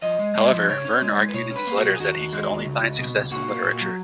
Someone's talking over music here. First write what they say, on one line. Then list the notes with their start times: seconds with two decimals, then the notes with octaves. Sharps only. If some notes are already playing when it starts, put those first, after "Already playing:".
However, Verne argued in his letters that he could only find success in literature.
0.02 F3 D#5
0.19 G#3
0.35 G#3
0.52 F3
0.68 C#3 C#5
0.85 C#4
1.02 G#3
1.18 G#3
1.29 B4
1.34 B2 C#5
1.50 C#4
1.56 B4
1.67 A#3
1.77 F#4
1.83 B1
1.95 G#4
2.00 D#2 F#4
2.16 D#2
2.33 G#3
2.50 D#2
2.66 C#2
2.82 C#2
2.98 B2
3.15 C#2
3.31 A#2 F#4
3.48 A#3
3.64 A#2
3.81 F#3